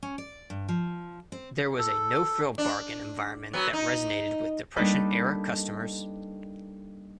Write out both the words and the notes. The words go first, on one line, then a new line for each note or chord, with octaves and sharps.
There was a no frill bargain environment that resonated with depression era customers.
C#4
D5
G2
F3
C4
A4
D4
F#3 B3
D#4
G3 A#3 D4 D#4 A4 B4